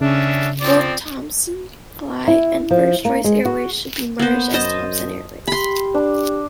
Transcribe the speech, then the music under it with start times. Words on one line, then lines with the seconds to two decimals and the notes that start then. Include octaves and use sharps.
Both Thomsonfly and First Choice Airways would be merged as Thomson Airways.
0.01 C#3 C#4 D4 E5
0.61 F3 C4 D5
2.28 E4
2.71 F3
3.05 A#3
3.24 G#3
3.45 F#4
4.19 A#3 B3 C5
4.54 F#2 C5 D#5 A5
5.48 G4 B5 C6
5.94 D4